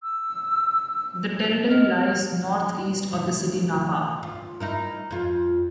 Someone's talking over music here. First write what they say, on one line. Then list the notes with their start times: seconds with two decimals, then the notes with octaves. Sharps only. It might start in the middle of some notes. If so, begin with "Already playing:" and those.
The territory lies northeast of the city Napa.
0.03 E6
1.69 D#5 F6
3.13 A3
4.23 F4
4.60 D#4 E4 A#4
5.11 F2 F4